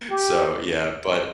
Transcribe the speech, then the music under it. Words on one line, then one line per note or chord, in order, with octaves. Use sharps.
so, yeah, but
G4